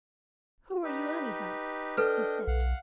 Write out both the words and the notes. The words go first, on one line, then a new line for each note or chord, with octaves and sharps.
"Who are you, anyhow?" he said.
D#4 G4 B4
D4 A4 B4 D#5 G5 F6
B1 F5 F#5